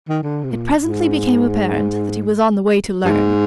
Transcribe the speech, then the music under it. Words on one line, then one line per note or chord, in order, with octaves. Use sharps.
It presently became apparent that he was on the way to learn.
D#3
D3
C3
A#2
G#2
G2
G#2